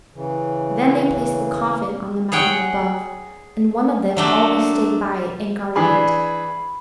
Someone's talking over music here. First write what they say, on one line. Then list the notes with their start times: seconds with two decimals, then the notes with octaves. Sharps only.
Then they placed the coffin on the mountain above, and one of them always stayed by it and guarded it.
0.14 C#3 E3
2.32 G#4 C#5 F#5 G5
4.17 F#3 A3 D4
5.76 E3 D4 G#4 B5